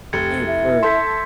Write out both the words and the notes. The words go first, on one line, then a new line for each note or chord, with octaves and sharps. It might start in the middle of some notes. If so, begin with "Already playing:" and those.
and for
F1 G4 G#6 A6 C#7
E4
A4 E5 C6 G6 B6